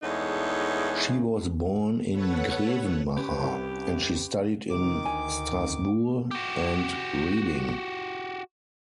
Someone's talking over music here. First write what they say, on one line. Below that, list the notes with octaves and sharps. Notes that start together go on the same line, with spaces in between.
She was born in Grevenmacher, and she studied in Strasbourg and Reading.
E2 G#3 A3 D4 D#4 C#5
A4 B4 C#5 F#5
C#4 G4 B4
C2
C3 D#3 D6
D2 G#5
F#4 G4